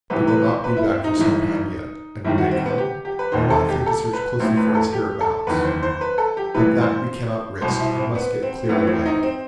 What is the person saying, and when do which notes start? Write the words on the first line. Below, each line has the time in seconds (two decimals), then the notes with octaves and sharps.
They will not be back for some time yet, and, when they come, will not think to search closely for us hereabouts; but that we cannot risk, and must get clear away.
0.10 C2 C3 E3 B4
0.27 B4
0.45 C5
0.64 B4
0.77 E4
0.90 C4
1.04 D#4
1.17 G1 G2 E3
2.24 G1 G2 D#3 E4
2.38 F#4
2.51 C4
2.66 B3
2.78 G4
3.05 G4
3.19 B4
3.32 E1 D#2 D#3 C5
3.50 A4
3.69 G4
3.86 A4
4.13 B4
4.40 A1 A2 E3 C5
4.57 B4
4.75 A4
4.93 G4
5.21 A4
5.47 F#1 E2 D#3 B4
5.64 C5
5.83 C5
6.01 B4
6.18 A4
6.37 G4
6.55 A1 G2 E3 B4
6.81 C5
7.61 C2 B2 C5
7.80 E4
7.98 C4
8.15 B3
8.42 C4
8.69 A1 A2 E3 B3
8.87 C4
9.05 D#4
9.23 C4